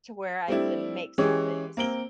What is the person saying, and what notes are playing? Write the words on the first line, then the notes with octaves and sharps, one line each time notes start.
to where I can make some things.
G3 A3 C4 D4 E4
E3 G#3 C#4 G4 G#4
A#3 C4 D7 G7